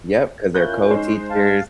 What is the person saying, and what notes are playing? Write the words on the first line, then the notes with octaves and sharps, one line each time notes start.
Yep, 'cause they're co-teachers
C#4 E4 F4 A#4 F#6 G6
G#3 D#4 C5
F5 A5